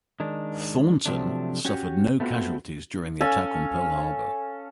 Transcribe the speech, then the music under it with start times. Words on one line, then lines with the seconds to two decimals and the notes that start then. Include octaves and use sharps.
"Thornton" suffered no casualties during the attack on Pearl Harbor.
0.20 D#3 G#3 D4
1.06 C3 F3 F#3 A3 D4
1.65 C#4 F#4 G4 C#5
2.20 A3 B3 C4 F4 F#4
3.21 C#4 A4 F5 G#5